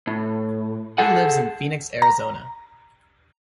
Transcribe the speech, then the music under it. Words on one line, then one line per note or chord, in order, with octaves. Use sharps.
He lives in Phoenix, Arizona.
A2
G#4 A4 F#5
A#5